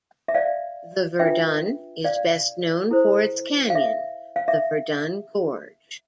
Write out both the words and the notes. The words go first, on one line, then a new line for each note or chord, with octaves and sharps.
The Verdon is best known for its canyon, the Verdon Gorge.
E5
D5 F5
D4 F4 B4 E5 G5
D5 F5
E4 A4 C5
F5
E5
F5
E5